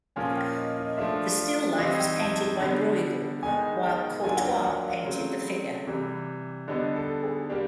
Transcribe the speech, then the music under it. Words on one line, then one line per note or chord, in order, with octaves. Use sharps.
The still life was painted by Brueghel while Courtois painted the figure.
A#2 F3 A#3 C#4 F4 G#5
G5
D#5
D#5
F3 A3 D4 F4 E5
F5
E3 G3 C4 D#4 F5
G5
A5
A5
D3 G3 B3
D#3 G#3 B3 D#4 G#5
G5
F#3 A#3 D4 F4 G#5
F#5
G5
F#5
F5
C#3 F#3 A3 C4
C3 E3 G3
D3 G3 B3 D#5
A4
G#4
G3 A#3 D4 G4